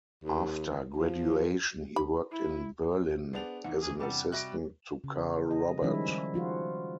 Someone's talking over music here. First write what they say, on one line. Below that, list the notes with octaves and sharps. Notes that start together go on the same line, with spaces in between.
After graduation, he worked in Berlin as an assistant to Carl Robert.
D#2
F3
B5
E4
B3 D4 G#4 C5 D5 F#5 F7
E2 D#4 E5 F#5
D#3 G#4
C3 G3 D4 F#5
G3 F#4 D#5 E5 F#6 A#6 D7
C#3
D#5
D#3 F3 G3 G#3 C#4 E4
F3 F4 F#4